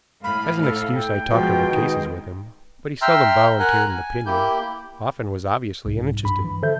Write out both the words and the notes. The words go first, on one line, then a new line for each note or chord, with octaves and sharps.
As an excuse I talked over cases with him, but he seldom volunteered an opinion, often was obviously uninterested.
A2 F5 B5
A4
G5
B2 F3 G#3 F4
D#3 G#3 D#4
E5 G5 A#5 C6 E6 F6
A#4 F#5 G#5 A#5 F#6
G#5
A#3 E4 G4 G6
C2 G#2
G2 B5
E3
D3 A4 C5 E5 G6